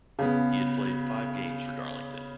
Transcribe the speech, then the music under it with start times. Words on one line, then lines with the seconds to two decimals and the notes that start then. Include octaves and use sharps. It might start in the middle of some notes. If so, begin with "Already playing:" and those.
He had played five games for Darlington.
0.19 C#3 B3